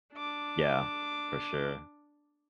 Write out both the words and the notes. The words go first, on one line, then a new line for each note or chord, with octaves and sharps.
Yeah, for sure.
D4 D6